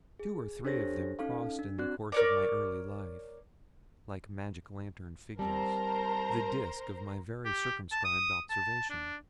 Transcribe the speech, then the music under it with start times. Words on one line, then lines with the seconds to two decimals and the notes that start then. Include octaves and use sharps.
Two or three of them crossed in the course of my early life, like magic-lantern figures, the disk of my very circumscribed observation.
0.20 G#4
0.65 D4 G4 A4 C5 C#5 A#6
1.19 C#4 D#4 A4 F5
1.59 D4
1.78 C4 F#4 D5 F#6
2.12 A#4 C#5 D5
5.39 G3 C4 A#4 C5 A5 A#5
7.45 G4
7.92 A5
8.05 D#6
8.50 A5
8.90 D4